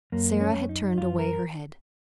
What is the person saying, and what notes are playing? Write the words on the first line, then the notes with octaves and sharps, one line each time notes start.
Sara had turned away her head.
F#2 A#3
C#4
F#2
D#4
F#2 F4
A#4